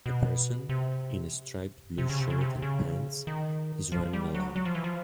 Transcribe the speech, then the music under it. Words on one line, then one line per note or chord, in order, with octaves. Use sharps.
A person, in a striped blue shirt and pants, is running along.
B2
C3
C3
C#3
C3
C#3
C3
C#3
D#3
F3
G3
F#3
F#3
F3
E3
F3